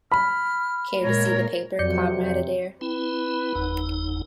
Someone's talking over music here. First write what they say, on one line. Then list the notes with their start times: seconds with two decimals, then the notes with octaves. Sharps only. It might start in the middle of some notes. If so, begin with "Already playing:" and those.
Care to see the paper, Comrade Adair?
0.12 B5 F6
1.02 A#2 G#3 A#4 C#5
1.79 F2 C3 F#3 D5 G6 C#7
2.81 C4 E4 B4
3.55 F#1 E2 D#4